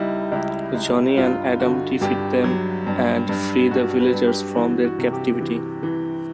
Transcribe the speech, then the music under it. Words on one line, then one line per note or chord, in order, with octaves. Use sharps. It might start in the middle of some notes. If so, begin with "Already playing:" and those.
Johnny and Adam defeat them and free the villagers from their captivity.
Already playing: C#2 G3 D#4 E4
C#2 E4
C#2
G2 F4
D3 F#4
G2 G4
F#3
G2
G2
G2 F#4
B4
G2
G4
E3 F#4
F#4
C3
G4
E3
E3